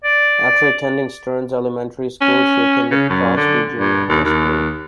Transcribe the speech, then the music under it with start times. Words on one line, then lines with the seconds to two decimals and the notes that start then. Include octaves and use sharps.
After attending Stearns Elementary School, she attended Crosby Junior High School.
0.04 D5
2.21 C#4
2.91 C#3
3.09 F#2
3.37 D3
3.78 G2
4.09 D#2
4.24 D#2